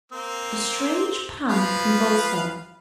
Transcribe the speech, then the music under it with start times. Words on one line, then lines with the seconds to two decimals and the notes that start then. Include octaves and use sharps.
A strange pang convulsed her.
0.12 A#3 C4
1.48 F3 B4 F5